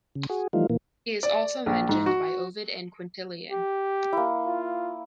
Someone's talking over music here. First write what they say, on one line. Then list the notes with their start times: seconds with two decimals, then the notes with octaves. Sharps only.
He is also mentioned by Ovid and Quintilian.
0.15 C#3
0.30 F#4 G#4
0.53 E3 F3 G3 A3 D#4 F4
0.70 A#2 E3 A#3
1.23 D5
1.66 A#1
1.89 G#2
2.06 F#4
3.52 G4
4.13 A#3 E4
4.46 F4